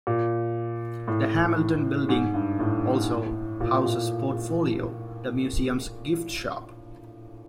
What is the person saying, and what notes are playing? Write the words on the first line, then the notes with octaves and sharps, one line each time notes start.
The Hamilton building also houses Portfolio, the museum's gift shop.
A#2
A2
G#2
G2
A2
A#2
A#2